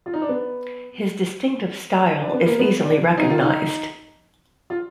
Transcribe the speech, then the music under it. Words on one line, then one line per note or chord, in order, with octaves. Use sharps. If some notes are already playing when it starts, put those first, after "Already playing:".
His distinctive style is easily recognized.
F4
D#4
D4
B3
D4
B3
A#3
B3
D4
D#4
F4
D#4
F4